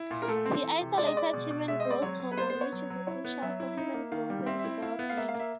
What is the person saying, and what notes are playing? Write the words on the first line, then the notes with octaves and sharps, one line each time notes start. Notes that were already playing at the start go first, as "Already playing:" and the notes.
He isolated Human Growth Hormone, which is essential for human growth and development.
Already playing: E4
A#2
A#4
A3 A4
C4
E3
C3
G#3 D5
D#5
G#3 D5
B2
B2
G#3 E5
C4 D#5
D5
F#3 C#5
F#3
B4
B3 C5
C5
B3
C#5
F#3
F#3
E4 C#5
B3
F#3 E5
E4
D#4
A#3
D#3 F5
G3
C4 E5
E5
E4
E5
E4 F5
B3
F5
A#3 E5
F5
A#3
E5